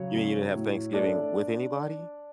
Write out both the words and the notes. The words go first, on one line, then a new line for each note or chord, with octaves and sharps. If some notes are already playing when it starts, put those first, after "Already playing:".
You mean you didn't have Thanksgiving with anybody?
Already playing: C#3 F#3 C#5
C#4
A2
A3 D4 D5